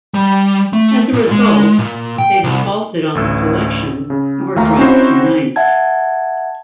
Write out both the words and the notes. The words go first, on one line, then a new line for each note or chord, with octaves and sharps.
As a result, they defaulted on the selection and were dropped to ninth.
G3
A3
A#2
G#3
A#2
G5
C2
A1 D2 E6
C#3
D#2 A3 F5 A#5
C4 C#4 D#4 E4 F#4 C5
E5 F#5 A5 G#6